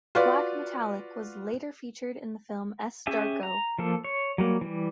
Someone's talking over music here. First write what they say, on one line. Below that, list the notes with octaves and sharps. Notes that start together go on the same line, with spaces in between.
"Black Metallic" was later featured in the film S. Darko.
F4 F#4 B4 D5
C#4 G4 G#4 E5 G#5
A#5
F3 A#3 A4
C#5
F#3 G3 A#3
E3 G3